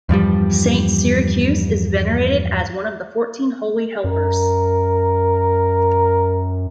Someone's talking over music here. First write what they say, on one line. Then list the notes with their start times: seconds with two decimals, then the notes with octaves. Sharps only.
Saint Cyriacus is venerated as one of the Fourteen Holy Helpers.
0.09 E2 G2 F3 G3
4.04 F#2 A#4